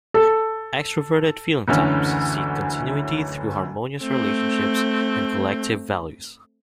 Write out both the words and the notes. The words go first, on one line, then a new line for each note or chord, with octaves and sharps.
Extroverted feeling types seek continuity through harmonious relationships and collective values.
A4
F#1 D2 D3 E3 C#4 F6
A3 C4